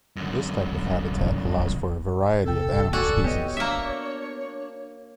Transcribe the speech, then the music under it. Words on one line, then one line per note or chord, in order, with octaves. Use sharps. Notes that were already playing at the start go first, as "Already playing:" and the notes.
This type of habitat allows for a variety of animal species.
F#2 D3
C3 A4 G5
F#4 A4 D5 G#5
B3 G4 C#5 D#5
A#3 D4 E5